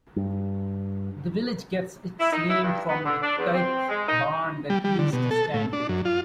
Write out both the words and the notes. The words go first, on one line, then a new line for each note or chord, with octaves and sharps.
The village gets its name from the tithe barn that used to stand there.
G2
E4
D#4
E4
G2
B3
D3
D4
E2
C4
G#3
D#4
G3
G3
D3
B2
A4
A2
D4
F#2
F4